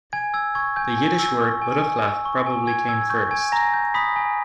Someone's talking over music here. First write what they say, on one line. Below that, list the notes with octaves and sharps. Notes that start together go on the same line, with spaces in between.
The Yiddish word "ruglach" probably came first.
G#5 G#6
E6 G#6
C#6 G#6
G#5 G6
G#5
E6
C#6
G#5
G#5
E6
C#6
G#5
G#5 G#6
E6 G#6
G#6
C#6 G6
G#5 G#6
G#5 A#5 A#6
G6
B5 D#6 B6
G#5